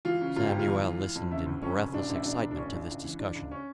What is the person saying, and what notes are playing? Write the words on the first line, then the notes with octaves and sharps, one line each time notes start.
Samuel listened in breathless excitement to this discussion.
E3 F4
C#3
G1 F4
G1 G4
F4
E2
E3
E3
F2
C#3 E4
D2
F2 C#4
F1
A1 D4
A1 E4
E1 D4
E1
D4
A1 C#4
A1 D4
C#2
E3
E3 D4
C#2
C#4